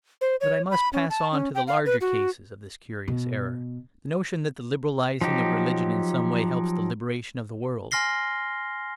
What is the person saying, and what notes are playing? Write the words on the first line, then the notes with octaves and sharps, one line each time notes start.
But I must pass on to the larger cases of this curious error; the notion that the "liberalising" of religion in some way helps the liberation of the world.
C5
C#5
B5
C#4
A5
C#4
G5
F5
B4
F#4
B2
F3 F#3 D#4 G4
G#5 C6 F6 A#6 C7 G7